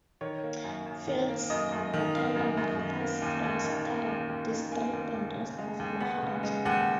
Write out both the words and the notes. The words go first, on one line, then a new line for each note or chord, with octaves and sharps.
Phalkes are vatandar Marathas from Satara District and rest of Maharashtra.
D#3 C#5
A#3
F#2
F#2
D#3
A#3
F#2 D#5
F#2
D#3
A#3 F5
F#2
F#2
D#3
A#3
D#2
D#2
D#3
A#3
D#2
D#2
D#3
A#3 G#5
D#2
D#2
C#3
G#3
D#2
B3 F#5
C#3
G#3
D#2 F#5